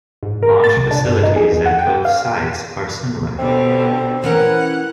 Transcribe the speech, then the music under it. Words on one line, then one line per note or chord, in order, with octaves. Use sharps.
Launch facilities at both sites are similar.
G#2
A#4
A6
C2
D4
G2
D#4
G#4
E2
F#5
G5
F5
B2 D3 G3 C4
E3 C#4 A#4 F#5